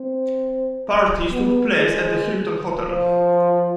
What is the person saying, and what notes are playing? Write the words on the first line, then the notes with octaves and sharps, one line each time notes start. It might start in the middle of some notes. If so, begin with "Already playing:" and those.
Parties took place at the Hilton Hotel.
Already playing: C4
B3
G#3
F3